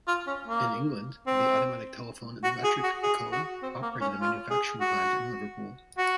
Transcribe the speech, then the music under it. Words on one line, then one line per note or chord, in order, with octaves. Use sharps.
In England, The Automatic Telephone and Electric Co operated a manufacturing plant in Liverpool.
F4
C#4
A#3
C4
F#4
G#4
F#4
G#4
F#4
C4
A#3
C#4
F4
G#4
F#4
F#4